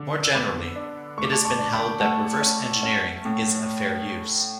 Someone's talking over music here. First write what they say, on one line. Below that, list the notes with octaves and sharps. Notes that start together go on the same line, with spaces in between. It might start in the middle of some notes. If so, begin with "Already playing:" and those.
More generally, it has been held that reverse engineering is a fair use.
Already playing: D3 D4
E6
B3 B5 D6
D4
A3 C#6
D6
A5 C#6
A5 C#6
D4
G5 B5
A3 F#5 A5
C#4
C#4
A2